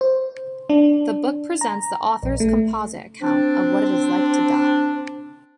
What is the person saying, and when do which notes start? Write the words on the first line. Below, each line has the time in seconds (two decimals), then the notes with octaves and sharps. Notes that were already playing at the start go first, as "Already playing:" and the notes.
The book presents the author's composite account of what it is like to die.
0.01 C5
0.70 D4
1.61 A#5
2.23 A#1
2.40 A3
3.22 C4 D4